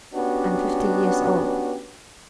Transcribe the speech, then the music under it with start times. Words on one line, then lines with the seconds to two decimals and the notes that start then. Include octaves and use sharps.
I'm fifty years old.
0.14 B3 C#4 D4 F#4 G4